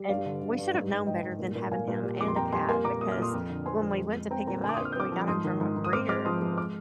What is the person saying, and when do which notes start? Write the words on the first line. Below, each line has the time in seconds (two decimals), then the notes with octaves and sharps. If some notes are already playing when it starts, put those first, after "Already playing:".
and we should've known better than having him and a cat, because when we went to pick him up- we got him from a breeder-
Already playing: G3
0.09 G2 D5 F5
0.26 D3
0.42 D3
0.59 G2
0.74 G#2
0.91 G#2
1.07 G#2 D#5 G5
1.23 G#2
1.39 A#2
1.55 A#2
1.71 A#2 F5 G#5
1.88 A#2
2.03 G3
2.20 F2 D6
2.28 C6
2.36 F2 G5 A#5
2.52 G3 G#5 C6
2.69 A#3 G#5 C6
2.84 A#2 A#5 D6
3.01 A#3 D#6
3.12 F6
3.17 A#2 C6 D#6
3.33 F2
3.50 D3
3.66 C4 G#5 C6
3.83 F2
3.99 G#3
4.15 G#3
4.31 C4 G5 A#5
4.47 A#2 G5 A#5
4.63 D3 G#5 C6
4.69 D6
4.74 C6 D#6
4.80 C4
4.85 F6
4.92 G6
4.96 C4 D6 F6
5.12 F3
5.28 G#2 C6 D#6
5.44 D#3
5.61 G#2
5.76 G#2
5.84 D#6
5.93 C4 D6 F6
6.09 G#3 D6 F6
6.25 F3 C6 D#6
6.42 G#3
6.57 D6 F6